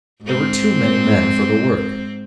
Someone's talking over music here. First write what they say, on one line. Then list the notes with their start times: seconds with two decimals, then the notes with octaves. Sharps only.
There were too many men for the work.
0.22 G#2 C4